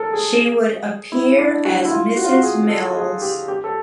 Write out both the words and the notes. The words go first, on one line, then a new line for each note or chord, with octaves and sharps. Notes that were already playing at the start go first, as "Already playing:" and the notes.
She would appear as "Mrs Mills".
Already playing: A4 A#4
G#4
E4
D4
F#4
E4
F4
F#4
F4
F#4
G#4
A4
G#4
G4
G4
A4